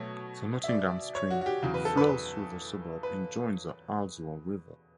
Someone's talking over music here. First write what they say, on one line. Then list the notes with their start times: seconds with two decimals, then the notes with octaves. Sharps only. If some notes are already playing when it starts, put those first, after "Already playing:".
The Nottingham Stream flows through the suburb and joins the Halswell River.
Already playing: B2 F#3 A3 C#5
0.64 E5
0.68 D5
1.15 C#5
1.30 F#4
1.41 F#4
1.46 G4
1.62 E2 C#3 F#3
1.74 B4
1.85 A4
1.97 B4
2.09 B4
3.03 B4